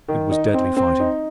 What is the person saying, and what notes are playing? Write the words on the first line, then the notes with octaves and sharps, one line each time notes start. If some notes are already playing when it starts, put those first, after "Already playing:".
It was deadly fighting.
D#3
D#4
C4
C4
D#4